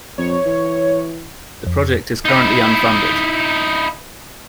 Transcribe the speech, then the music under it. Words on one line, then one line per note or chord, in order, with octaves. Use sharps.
The project is currently unfunded.
F2 C#5
E3
F2
D#4 E4